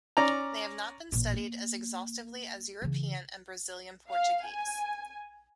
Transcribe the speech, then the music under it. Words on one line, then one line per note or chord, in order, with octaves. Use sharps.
They have not been studied as exhaustively as European and Brazilian Portuguese.
C#4 D5 A#5
A1 A#2
A#3
C#3 E3
F5
G#5